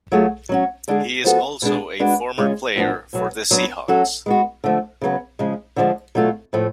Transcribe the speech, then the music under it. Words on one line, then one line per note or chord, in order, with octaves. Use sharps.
He is also a former player for the Seahawks.
F#3 A3 F4 G#4
F#3 C#4 F#4
D3 G#3 D4 G#4 B4
F3 B3 F#4 A4
B2 G#3 D4 G#4
G#3 D4 F#4 B4
C#3 G#3 C#4 F4
A2 F3 B3 D4
B2 F#3 B3
F#3 B3 D4
F#3 C#4 F#4 A4
G#3 B3 F#4
D3 F3 A3
C#3 F#3 B3
C#3 F3 G#3
D3 F3 G#3 D4
B2 F#3 A3 F4 A4
A2 F3 A3